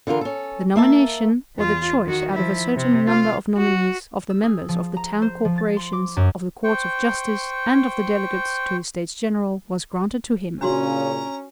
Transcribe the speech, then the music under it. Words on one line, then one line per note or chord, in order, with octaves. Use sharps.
The nomination, or the choice out of a certain number of nominees, of the members of the Town-Corporations, of the Courts of Justice and of the delegates to the States-General, was granted to him.
D3 E3 F4 A#4
C#4 A4
A#3 E5 A5
E2 F4
D#3 F#4
F3 E4
C3
F4 F5
F#4
E6
G#4
F3
A#5
C5
F3
A6
C6
D6
F#2
C5 G5 C#6
A#2 C#3 C#4 D4 F#4 A#5 C6